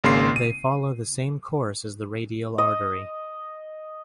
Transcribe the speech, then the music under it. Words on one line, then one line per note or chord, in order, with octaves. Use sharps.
They follow the same course as the radial artery.
G#1 C#3 A#3 C6 C7
D#7
D#5